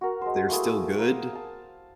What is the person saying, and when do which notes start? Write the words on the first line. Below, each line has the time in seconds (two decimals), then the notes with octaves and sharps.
they're still good
0.01 F#4 A#4
0.21 G#3 C5
0.49 A3 A#3 E4 G#4
0.98 A#4 F5
1.33 F5 A5